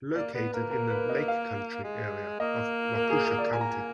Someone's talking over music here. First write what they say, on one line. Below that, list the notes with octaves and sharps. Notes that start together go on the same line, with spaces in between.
Located in the "Lake Country" area of Waukesha County.
A#3 D5
B3 B4
A#3 A#4
A#4
B4
D#5
F5
G#3
A#3 D#5
A#4
G#4
A#4
D5
A#3 G#5
A#5
G#5